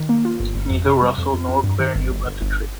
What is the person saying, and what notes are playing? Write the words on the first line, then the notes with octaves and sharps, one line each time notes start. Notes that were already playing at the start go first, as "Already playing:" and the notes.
Neither Russell nor Claire knew about the trade.
Already playing: D#3
A#3
F4
G1
G1
F2
C3
G3
F2
F2
F2
G2
D#3
G1
G1
G1
G1